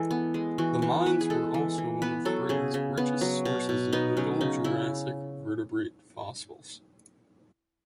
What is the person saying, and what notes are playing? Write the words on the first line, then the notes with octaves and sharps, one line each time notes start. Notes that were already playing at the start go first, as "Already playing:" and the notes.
The mines were also one of Britain's richest sources of Middle Jurassic vertebrate fossils.
Already playing: E3 G#3 A4
B3
G#3
E3 F#4
E3
B3 B4
G#4
G#3 A4
E3
E3
B3 B4
F#3 A4
C#3 G#4
C#3
B3
F#3
B2
B2
B3 D#4
F#3 C#4
C#3 D#4
C#3 E4